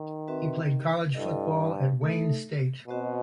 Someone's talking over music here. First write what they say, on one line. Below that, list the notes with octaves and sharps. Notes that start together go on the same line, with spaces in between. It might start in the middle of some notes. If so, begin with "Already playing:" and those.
He played college football at Wayne State.
Already playing: D#3
C4 F#4 B4 E5
G2 E4 A4 D#5
A3 D#4 A4 E5
B2 C4 F#4 C5 D#5